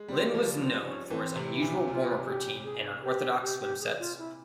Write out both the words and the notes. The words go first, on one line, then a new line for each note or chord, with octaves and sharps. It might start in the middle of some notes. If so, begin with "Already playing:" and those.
Linn was known for his unusual warm-up routine and unorthodox swim sets.
Already playing: G#3
G3 C4
F3 A#3
C4
C#4
E3 C4
C3
E4
A#2
A#2
C3 F4
G4
G#4
G4
G4
G4
G#4
F4
E4